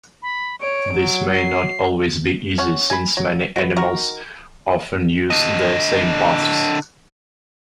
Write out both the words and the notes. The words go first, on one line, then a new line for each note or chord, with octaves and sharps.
This may not always be easy, since many animals often use the same paths.
B5
C#5 D7
F#3
C7
C#4 C#5 F#5
G#5 B5
F#3
F#4 B4
D#3 F#4 A#4 C#6
D3 D#5